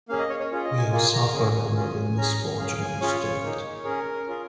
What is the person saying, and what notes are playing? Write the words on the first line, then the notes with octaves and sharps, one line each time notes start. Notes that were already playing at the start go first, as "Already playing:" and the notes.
We have suffered under the misfortune of austerity.
A#3 C#4 G#4 F5
D#5
C#5
C#5
C#4 F4 G#4
D#5
G#5
A#3 F4 G#4 G#5
A#5
A#3 C#4 G#4 G#5
C#4 F4 G#4
C#4 G#4 A#5
C#4 G#4 F5
G#5
C#4 F4 G#4 C#5
A#3 D#4 G#4
C#4 G#4 A#4
C#4 F4 G#4